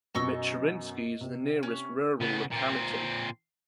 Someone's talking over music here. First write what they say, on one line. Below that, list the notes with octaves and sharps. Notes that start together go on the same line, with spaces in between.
Michurinsky is the nearest rural locality.
F#2 B2 D#5 C#6 E6
C3
C#4
C#3 B3
A#2 C4